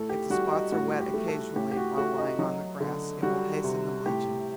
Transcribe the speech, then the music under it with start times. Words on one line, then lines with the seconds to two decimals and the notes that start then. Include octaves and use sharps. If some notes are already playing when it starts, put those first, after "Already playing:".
If the spots are wet occasionally while lying on the grass, it will hasten the bleaching.
Already playing: A2 A4
0.09 G4
0.30 G3 F#4
0.52 D#4
0.72 A2 F#4
1.00 G4
1.14 A3
1.28 A4
1.56 A2 G4
1.71 G4
1.76 F#4
1.98 A3 F#4
2.18 D#4
2.39 F#3 D#4
2.81 D3
3.22 G3 F#4
3.64 C3
4.06 A2 G4